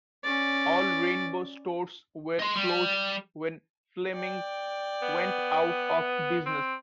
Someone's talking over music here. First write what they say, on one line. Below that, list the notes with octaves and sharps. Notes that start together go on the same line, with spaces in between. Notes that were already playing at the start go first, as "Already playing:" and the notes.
All Rainbow stores were closed when Fleming went out of business.
C#4 D5
D#5 C6
G3
D5 G5
B3
C4